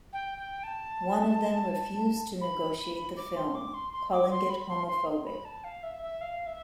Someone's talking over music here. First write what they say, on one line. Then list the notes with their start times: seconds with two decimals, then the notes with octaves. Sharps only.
One of them refused to negotiate the film, calling it homophobic.
0.12 G5
0.38 G5
0.63 A5
2.41 B5
3.17 D6
3.36 C6
3.55 D6
3.73 C6
3.92 C6
4.12 D6
4.31 C6
4.50 B5
4.69 C6
4.87 C6
5.26 B5
5.45 A5
5.64 F5
5.83 E5
6.02 E5
6.21 F5
6.46 E5